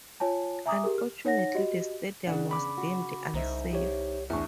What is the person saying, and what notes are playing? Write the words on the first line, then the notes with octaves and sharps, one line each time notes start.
Unfortunately the stadium was deemed unsafe.
F4 C#5 G#5 A5
E5 G#5 A#5 D6 D#6
G4 G#4 A#4
F6
D#4 C#5 F#5 A#6
F#4 G4 D#5
C#3 D4 F#5
E2 B5 D6
F#4
C2 D#4 C5 E5
G4 C#5
E2 A2 D4 E5 C#6